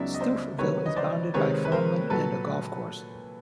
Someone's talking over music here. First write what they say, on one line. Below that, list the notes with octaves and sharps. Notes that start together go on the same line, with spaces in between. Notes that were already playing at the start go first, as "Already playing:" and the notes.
Stouffville is bounded by farmland and a golf course.
Already playing: C#2 C#3 F#3 B3 D#4 D5 E5
D#5
C5 D5
C3 D#3 F#3 B4 C#5
D#5
C5 D5
C3 D#3 G#3 C4 B4 C#5
B4
A#4 C5
A#2 F#3 A4 B4